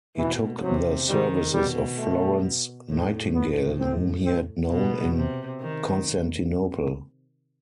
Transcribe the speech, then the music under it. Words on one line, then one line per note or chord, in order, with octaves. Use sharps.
He took the services of Florence Nightingale whom he had known in Constantinople.
B2 E3
C3 F#3
D#3 G3
B2 G3
A3
A2
A2 B3
C4
C4
B2 B3
C3
D#3